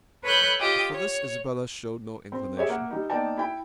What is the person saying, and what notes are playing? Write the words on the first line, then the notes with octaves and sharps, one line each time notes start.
But for this Isabella showed no inclination.
A4 B4 C#5 B5 F#6 G6
F4 G4 D#5
C#5
C4
G4 G#4 C#5 E5
A#3 E5 F#5
G3 D#4
A#3 B3 D#4 D5 G5 A5
E4 G5 B5